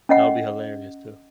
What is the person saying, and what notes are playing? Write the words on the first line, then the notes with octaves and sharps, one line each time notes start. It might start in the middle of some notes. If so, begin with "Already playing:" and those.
That would be hilarious, too.
C#4 D#5 F#5